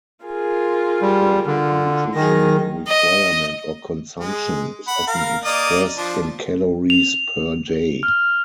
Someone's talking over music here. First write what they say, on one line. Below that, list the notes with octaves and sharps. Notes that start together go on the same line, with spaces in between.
A nutritional requirement or consumption is often expressed in calories per day.
F4 G#4 A#4
G3
D3 F4
D#3 F#3 G#4 A#6
D#5
G#3
F#5 B5
A#4 F5
A#3 D5 D#5
F3 D4
F7
F6